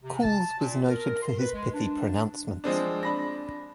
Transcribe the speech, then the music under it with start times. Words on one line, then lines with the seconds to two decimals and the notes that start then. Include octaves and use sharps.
Cools was noted for his pithy pronouncements.
0.03 C3
0.23 A5
0.58 A#2
0.88 A#4
1.22 C6
1.39 B4
1.54 G#3
1.74 D4
2.64 F3 G#3 C4 D4
3.03 D4 B5 A#6